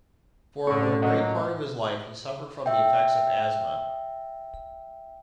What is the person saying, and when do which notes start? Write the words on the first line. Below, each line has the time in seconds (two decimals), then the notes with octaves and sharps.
For a great part of his life, he suffered from the effects of asthma.
0.67 A2 D3 C#4 A4 C#6
1.02 F#3 A#3 F#4 D#5 F#5
2.66 E5 G5